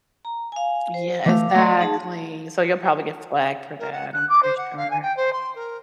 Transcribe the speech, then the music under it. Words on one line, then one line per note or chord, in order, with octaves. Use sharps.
Yeah, exactly. So you'll probably get flagged for that, I'm pretty sure.
A#5
F5 G#5
C5
E3 A3 F5 D6
A3 D5 D#5 F#5 C6
D#4 G#4 A5
A#4
F#5
F#6
D6
C5
F#5
F5
G#5
G5
C5
C6
A#4